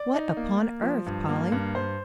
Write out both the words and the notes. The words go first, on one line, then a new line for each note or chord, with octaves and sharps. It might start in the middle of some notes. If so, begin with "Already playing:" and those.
"What upon earth, Polly!"
Already playing: D5
D#4
A#3
A#3
F3
G2
A#3
G2
G2 C5